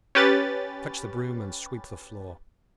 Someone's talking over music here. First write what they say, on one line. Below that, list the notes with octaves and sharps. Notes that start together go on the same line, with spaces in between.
Fetch the broom and sweep the floor.'
C#4 G4 B4 A6